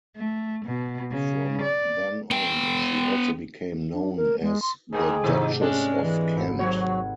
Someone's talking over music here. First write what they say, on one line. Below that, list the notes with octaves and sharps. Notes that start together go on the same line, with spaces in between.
From then on she also became known as the Duchess of Kent.
A3
B2
C#3
D5
B3 G5
D4
A#4
G#3
C6
G#2 A#3 G#4 A4 G5 D6
G#2 C3 D#3 F3 A3 D#4
G#3 C#4 D4
E3
G#1
F#3 C4 F#4 C#5 F#5 G#6